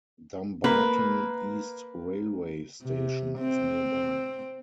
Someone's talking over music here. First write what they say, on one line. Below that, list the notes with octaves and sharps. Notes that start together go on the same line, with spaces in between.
Dumbarton East railway station is nearby.
A#3 B4
C3
C4